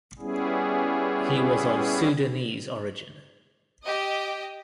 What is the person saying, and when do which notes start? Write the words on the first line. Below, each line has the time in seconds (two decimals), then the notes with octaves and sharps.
He was of Sudanese origin.
0.19 G3 B3 C#4 E4 G#4
3.83 G4 D#5